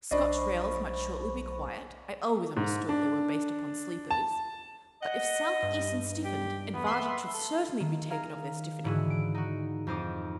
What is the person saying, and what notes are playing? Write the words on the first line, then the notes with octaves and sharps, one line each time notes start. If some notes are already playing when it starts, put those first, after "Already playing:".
Scotch rails might shortly be quiet-- I always understood they were based upon sleepers; but if South-Eastern stiffened, advantage should certainly be taken of their stiffening.
B1 D4 C5 D5 D#5 B5 C#6
G#2
D4
A5
D#5 F#5
G2
G4
E2 B3
E5 B5 C6
A4
D#3
G#4 F5 A#5
G#2 D3 E3 E4 F#4 G#4
D7
D#4 F#4
F2 D#4 C5 D6 D#6